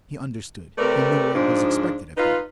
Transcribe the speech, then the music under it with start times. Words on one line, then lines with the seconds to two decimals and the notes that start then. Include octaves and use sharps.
He understood, he knew what was expected of him.
0.78 C3 A3 C4 A#4 B4 D5
1.35 G#2 F3 D4
2.17 D#4 F4 B4